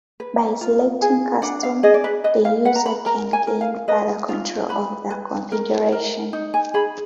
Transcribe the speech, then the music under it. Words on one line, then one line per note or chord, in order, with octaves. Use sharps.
By selecting Custom, the user can gain further control of the configuration.
B4
F4
G#4
D4 F#5
F5
G#4 D#5
D5
B4
B4 D#5
F5
B4 F#5
A#5
B5
A#4 A#5
G#5
A#4
F5
B4 D#5
F4
B4 B5
B4
A#4
A#4
D#4
G#5
G#4 B5